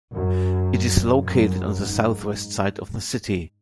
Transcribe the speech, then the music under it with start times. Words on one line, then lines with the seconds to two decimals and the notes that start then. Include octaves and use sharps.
It is located on the southwest side of the city.
0.12 F#2
1.24 F#2
1.79 G#2